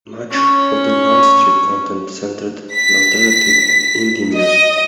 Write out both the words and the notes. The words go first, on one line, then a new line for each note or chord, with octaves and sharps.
Much of the non-strip content centred on alternative and indie music.
C#4 C#5
B6
D#5